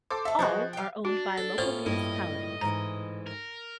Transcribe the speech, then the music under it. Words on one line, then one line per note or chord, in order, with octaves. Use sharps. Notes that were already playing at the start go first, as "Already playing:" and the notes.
All are owned by local municipalities.
A4 C5 D6
A3 A4 E5
F3 G#3 F#4 B4 F#6
G4 F5
D4 F#4
A4
A2 C#4 F4 C5
G2 A#3 E4 D#5
G#2 E3 A#5
A#4